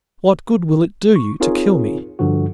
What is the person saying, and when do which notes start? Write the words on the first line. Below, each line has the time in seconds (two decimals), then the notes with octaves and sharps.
What good will it do you to kill me?
1.16 C#6
1.40 C4 D#4 F4 G#4 A#4 C#5
2.19 G2 D3 F3 F#4